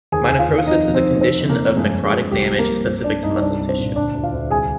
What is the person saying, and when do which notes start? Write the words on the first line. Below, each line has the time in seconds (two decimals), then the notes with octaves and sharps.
Myonecrosis is a condition of necrotic damage, specific to muscle tissue.
0.12 D#2 G#4 G#5
0.30 D#2
0.39 F4 F5
0.49 D#2
0.58 F5
0.66 F2 D#4 D#5
0.85 F2
0.94 C4 C5
1.04 D#3
1.21 F2 C4 C5
1.40 C3
1.49 A#3 A#4
1.59 F2
1.76 G2 G#3 G#4
1.94 G2
2.04 G#3 G#4
2.13 F3
2.31 C2 G3 G4
2.50 F3
2.59 A#3 A#4
2.68 C2
2.86 G2 C4 C5
3.04 G2 D4 D5
3.23 G2 D#4 D#5
3.36 C5
3.41 C2 D4 D5
3.59 C2
3.68 C4 C5
3.78 A#2
3.96 D2 D4 D5
4.14 D2
4.23 F4 F5
4.33 D2
4.50 C2 G#4 G#5